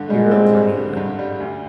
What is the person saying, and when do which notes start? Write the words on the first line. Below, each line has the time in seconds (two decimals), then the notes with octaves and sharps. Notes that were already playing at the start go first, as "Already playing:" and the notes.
Here are plenty of them.
Already playing: G2 D3
0.10 G3 G#3
0.31 C4
0.53 G3
0.75 D3
0.97 G2
1.19 G3
1.40 D2